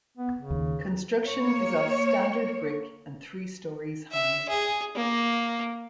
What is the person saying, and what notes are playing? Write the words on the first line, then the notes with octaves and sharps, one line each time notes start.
Construction is of standard brick and three stories high.
B3
C#3
D#2
A#3 C#5
E5
G#4
A#3